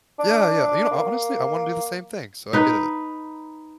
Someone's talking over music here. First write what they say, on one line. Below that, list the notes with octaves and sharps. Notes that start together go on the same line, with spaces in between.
Yeah, yeah. You know, ho honestly, I wanna do the same thing, so, I get it.
D4
A#3
D#4 B4